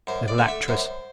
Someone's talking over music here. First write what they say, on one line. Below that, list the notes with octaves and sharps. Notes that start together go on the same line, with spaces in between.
Little actress!
F#2 C5
D5
D3 A3
E5
F#2 C5